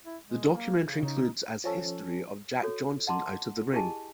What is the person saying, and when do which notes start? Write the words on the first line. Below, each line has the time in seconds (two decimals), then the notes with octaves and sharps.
The documentary includes as history of Jack Johnson out of the ring.
0.05 E4
0.25 G#3
0.54 A#3
0.84 C#3
1.03 C#3 D#4
1.64 F3 C#4 A4
2.63 F#4 A4 C#5
3.07 D#5 F#5 A5 A#5 C6 D6
3.73 E4 G4 G#4 D#5 G#5 A5